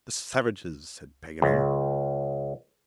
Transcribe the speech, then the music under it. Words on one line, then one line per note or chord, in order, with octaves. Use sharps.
"The savages," said Paganel.
C#2